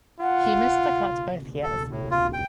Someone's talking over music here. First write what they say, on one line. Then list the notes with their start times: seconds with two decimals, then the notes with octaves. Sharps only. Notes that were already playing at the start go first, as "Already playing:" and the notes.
He missed the cut both years.
0.20 F4 F#5
1.63 A4
1.91 A2
2.11 F4
2.33 G5